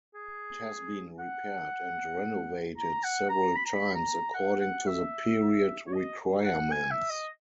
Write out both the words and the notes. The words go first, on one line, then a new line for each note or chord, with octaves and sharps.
It has been repaired and renovated several times according to the period requirements.
G#4
F#5
A#5
F#5
A#5
B5
A#5
B5
A#5
F#5
F#5
E5
C#5
D#5
F#5
G#5
E5
D#5